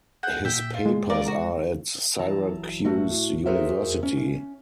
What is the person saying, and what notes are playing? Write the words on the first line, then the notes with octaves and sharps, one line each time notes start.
His papers are at Syracuse University.
G#4 F#5 G6
A#2 E5 G5
F4
G#3
F4 A#4 D5
F#4
E3 F#3 A5 A#5
A2 A3 F#4
F#4 G#4 A#4 C5 E5
C#4